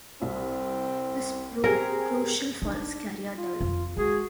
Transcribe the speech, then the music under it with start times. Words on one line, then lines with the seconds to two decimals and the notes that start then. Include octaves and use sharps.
This proved crucial for his career development.
0.22 C2 C4
1.64 C4 G4 G#4 A#4
2.62 D4 D#4
3.38 F4
3.61 F2
3.97 G#3 F#4 G#4